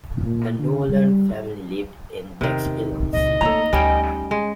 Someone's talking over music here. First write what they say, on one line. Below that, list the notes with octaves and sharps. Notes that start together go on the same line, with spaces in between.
The Nolan family lived in Bexhill-on-Sea.
A#2
D3
G3
E2 C3 D#3
C#2 A#2 D#5
A3 A#3 A4 C#5 A#5
D2 G3 C#4 D#4 G5 G#5
G#3